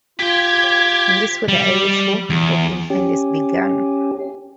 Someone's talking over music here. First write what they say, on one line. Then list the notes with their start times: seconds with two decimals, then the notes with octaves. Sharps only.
In this way the Irish War of Independence began.
0.19 F4 G4 G5 G#6
1.48 G3
2.30 E2
2.90 C#4 G4